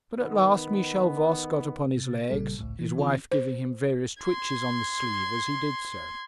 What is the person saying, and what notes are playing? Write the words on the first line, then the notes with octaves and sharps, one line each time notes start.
But at last Michel Voss got upon his legs, his wife giving him various twitches on the sleeve as he did so.
D#3 B3
C3 A6
G1 A#2 C#3 G3 A4
G#1 C#2 A2
C3 E3
D#3 C4 C#4 F4 C#5
C5
C6 G#6